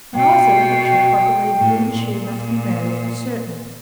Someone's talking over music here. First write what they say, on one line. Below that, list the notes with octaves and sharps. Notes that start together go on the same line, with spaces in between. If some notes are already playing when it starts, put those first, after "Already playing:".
When I was a little chap I believed you and she must be married for certain.
B2 G5
A2
A#2